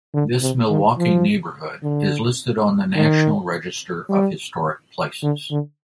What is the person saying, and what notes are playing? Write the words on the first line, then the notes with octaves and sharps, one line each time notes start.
This Milwaukee neighborhood is listed on the National Register of Historic Places.
D3
C3
D#3
F3
D3
D#3
G3
D3
D3